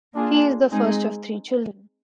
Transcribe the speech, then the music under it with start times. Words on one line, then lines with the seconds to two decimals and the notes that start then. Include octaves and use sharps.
He is the first of three children.
0.14 A#3 D4 F4 G#4
0.71 G#3 C4 D#4 G#4